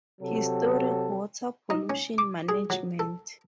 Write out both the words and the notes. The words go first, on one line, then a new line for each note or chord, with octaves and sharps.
Historic Water Pollution Management.
C3 F#3 A4
D#4
C#4
D6
G#4
F#3
A4